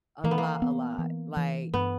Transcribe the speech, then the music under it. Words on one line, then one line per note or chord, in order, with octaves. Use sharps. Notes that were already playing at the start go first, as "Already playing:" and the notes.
A lot, a lot, like
E3 A#3
B3
A#3
B3
E3
E3
G2 B3